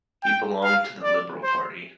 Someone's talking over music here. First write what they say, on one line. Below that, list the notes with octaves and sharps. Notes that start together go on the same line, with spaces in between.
He belonged to the Liberal Party.
G5
F5
D5
C5